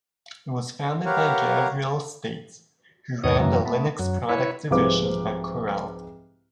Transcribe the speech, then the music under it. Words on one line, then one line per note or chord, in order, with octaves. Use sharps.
It was founded by Gavriel State, who ran the Linux product division at Corel.
G4 A#4 B4 C#5 F5 F#5
D#2 G#2 D#3 C#5 D#6
F#2 E3 F#3 A#3
A3 B3
F#2 F#3
E4 B4 C#5
C2 G#2 F3 B4 F5 D6